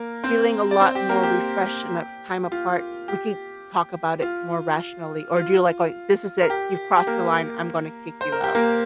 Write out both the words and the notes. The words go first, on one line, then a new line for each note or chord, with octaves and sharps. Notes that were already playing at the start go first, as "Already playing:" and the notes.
feeling a lot more refreshed in that time apart, we could talk about it more rationally." Or do you like going, "This is it. You've crossed the line. I'm gonna kick you out."
Already playing: A#3 A#4
C4 C5
D5
C4 C5
G4
A#3 A#4
G4
F4
G4
F4
F4
A#4
G4
G4
A#3 A#4
C5
A#4
G4
A#3 A#4